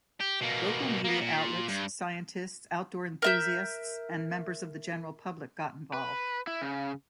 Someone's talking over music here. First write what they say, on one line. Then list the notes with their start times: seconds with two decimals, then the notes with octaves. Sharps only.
Local media outlets, scientists, outdoors enthusiasts and members of the general public got involved.
0.20 G4
0.41 B2 A#3
1.05 A#3 B3
1.21 A#2
1.69 G2
3.22 A#4 E5 G6
5.93 B4
6.47 E4
6.62 C#3